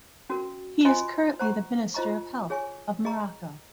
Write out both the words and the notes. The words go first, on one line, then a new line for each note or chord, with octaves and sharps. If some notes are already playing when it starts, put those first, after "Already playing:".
He is currently the Minister of Health of Morocco.
C#4 F#4 A#4
F4 C5 D#5 G#5 C6
C5 F#5 A#5 C#6
F4 C5 D#5 A#5 C#6
G#4 C#5 G#5 C#6
G#4 D#5 A#5 C#6